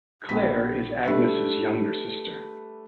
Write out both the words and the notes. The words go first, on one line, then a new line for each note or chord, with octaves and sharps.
Claire is Agnes's younger sister.
A#1 B3 B6
G3 A3 D4 B4 E5